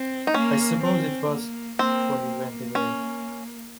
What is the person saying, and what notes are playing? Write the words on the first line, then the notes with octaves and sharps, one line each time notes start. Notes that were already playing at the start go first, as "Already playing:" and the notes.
I suppose it was, for he went away.
Already playing: C4
D#4
A#3 C#4
C4
A#3
A#3 C4
A#3
C#4